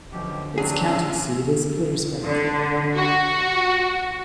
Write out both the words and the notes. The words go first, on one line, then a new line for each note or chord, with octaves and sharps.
Its county seat is Petersburg.
F#2 B2 D3 F3 G4
E2 C#3 F#3 C4 D4 G#4
A#1 C#3 E6
D3
F#4